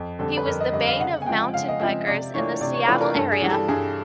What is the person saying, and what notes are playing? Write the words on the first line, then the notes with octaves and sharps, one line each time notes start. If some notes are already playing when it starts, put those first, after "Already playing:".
He was the bane of mountain bikers in the Seattle area.
Already playing: F2
D3 G3 C4 A4
B4
F2 A#4
D#5
D3 G3 C4 D#5
F5
C#3 F#5
G#5
F3 G#3 C4 F4 G5
C#3 F5
D#5
F3 G#3 C4 F4 E5
C3 D5
E3 A3 D4 F4 C#5
C3 D5
C#5
E3 A3 D4 F4 B4
A#4
G2 A4
G#4
E3 G3
A4
G2 G#4